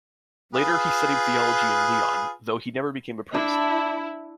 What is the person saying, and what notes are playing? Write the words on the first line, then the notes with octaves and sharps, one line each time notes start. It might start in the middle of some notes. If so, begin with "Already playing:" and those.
Later he studied theology in Lyon, though he never became a priest.
F4 G#4 B4
D4 E4